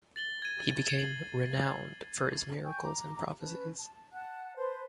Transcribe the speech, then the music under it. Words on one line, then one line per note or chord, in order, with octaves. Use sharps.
He became renowned for his miracles and prophecies.
A6 F#7 G7
G#6 D#7
C7 F#7
G5 G#5 C#6 G6
A#5 D6
C#4 B4 A5
A5
F#5 A5 F#6
B4 C5 A5 C6